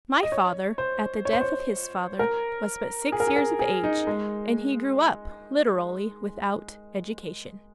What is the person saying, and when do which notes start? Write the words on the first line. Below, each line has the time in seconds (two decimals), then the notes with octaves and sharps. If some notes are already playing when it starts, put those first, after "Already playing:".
"My father, at the death of his father, was but six years of age; and he grew up, literally without education."
0.23 D#5
0.32 C#5
0.78 C5
1.25 C#5
1.33 C5
1.41 C#5
2.19 A#4
3.12 G#4
3.20 A#4
3.27 G#4
3.36 A#4
3.59 G#4
3.84 D#4
4.07 G#3